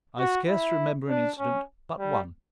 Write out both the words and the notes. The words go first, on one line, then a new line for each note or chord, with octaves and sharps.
I scarce remember an incident but one.
F#4
E4
D4
C#4
G3